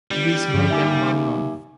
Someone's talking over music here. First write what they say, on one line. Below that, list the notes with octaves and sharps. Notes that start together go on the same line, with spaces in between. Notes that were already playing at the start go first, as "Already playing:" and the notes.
This made them well known.
G1 G3
G2 C#3 F3
D#2 E5 G#5 D6